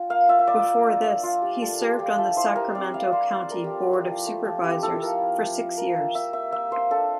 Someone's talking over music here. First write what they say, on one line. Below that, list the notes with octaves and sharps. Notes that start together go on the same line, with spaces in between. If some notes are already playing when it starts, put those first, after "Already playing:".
Before this, he served on the Sacramento County Board of Supervisors for six years.
Already playing: D4 F4 G5
A#3 F5
F4 E5
E5
A#3 D5
A#3
D4
A#3
F3 F4
D4 G4
F3 A4
F3 G4
F4
F3 G4
F3 E5
E4 C5
G3 A#4
C4 D5
E4 F5
G3 C5
E4 D5
A3 A#4
F3 G4
E4
G4
F3
A3
F3
C4 G4
E4 A4
F3 A#4
E4
F3
F3
A#3 A#4
A#3 E5
A#3 E5
A#3 E5
A#3 E5
A#3 C5
D4 A4